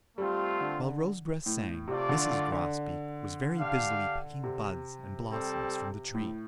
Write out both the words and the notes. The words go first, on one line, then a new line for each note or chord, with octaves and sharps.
While Rosebreast sang, Mrs. Grosbeak was very busily picking buds and blossoms from the tree.
G3 A3 C4 F4
D3
A2
C3 A3 F4 D5
D3
D3
D3
D4 G4 F5
C3
G3 C4 A4
A2